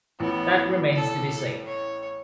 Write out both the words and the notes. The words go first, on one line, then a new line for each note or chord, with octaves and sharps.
That remains to be seen.
A1 B3
A4
C#5